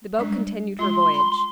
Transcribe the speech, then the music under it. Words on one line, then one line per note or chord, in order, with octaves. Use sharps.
The boat continued her voyage.
G3 G#3 D4
G#3 F4 C6
B5